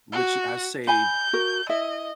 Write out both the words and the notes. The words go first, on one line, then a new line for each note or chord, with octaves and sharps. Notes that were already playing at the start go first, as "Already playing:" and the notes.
which I say
F#4
G#5 B5 G6
F#4 A#4
E4 D#5 E5